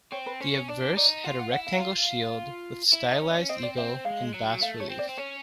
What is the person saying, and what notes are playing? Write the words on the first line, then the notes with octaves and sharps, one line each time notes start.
The obverse had a rectangle shield with stylised eagle in bas-relief.
C4 C#5
B4
C#4 C5
C#5
D4 D5
D#4 D5
F4 F#5
F#5
E4 F#5
F5
F4
E4 E5
D#4
D#5
C#4
D#5
C#4
C4 D#5
D5
C4 E5
G#3 F5
F#3
A3 F5
C#5
C4
D5
C4
C#4 C#5